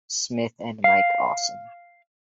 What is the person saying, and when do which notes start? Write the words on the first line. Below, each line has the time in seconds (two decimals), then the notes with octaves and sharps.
Smith and Mike Awesome.
0.84 F5